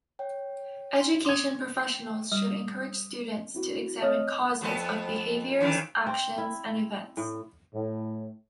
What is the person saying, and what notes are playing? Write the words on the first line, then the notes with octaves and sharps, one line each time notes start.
Education professionals should encourage students to examine "causes" of behaviors, actions and events.
C#5 G5
C6 C7
C6 D6 D#6 G#6
G5 C7
G3 D#6
C4 E4 F#4
C4 C#5 D#5 D#6 F6
F2 B3 A4
F2 D#3 E3
C4
E4
A2
A2